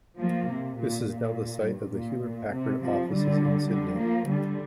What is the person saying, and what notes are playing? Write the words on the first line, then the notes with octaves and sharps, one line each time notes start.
This is now the site of the Hewlett Packard offices in Sydney.
F3 A#3
C3
A#2
A#2
G2
A#2
A#2
C3
C3 F3
D3 G3
D3 G3
F3 A#3
D3 G3